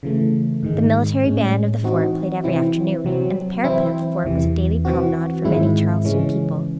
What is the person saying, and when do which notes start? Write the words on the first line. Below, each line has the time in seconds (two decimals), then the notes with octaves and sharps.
The military band of the fort played every afternoon, and the parapet of the fort was a daily promenade for many Charleston people.
0.03 C#3 E3 A3
0.63 G#2 D#3 G#3
1.23 A2 G#3 C#4
1.83 E3 C4 D#4 F#4
2.44 C3 E3 C4 E4
3.04 C3 F#3 C4
3.64 E3 C4 E4
4.24 E2 C3 E3
4.85 E3 C4 F#4
5.44 G#2 D#3 G#3 C4 E4
6.05 C#3 E3 G#3 C#4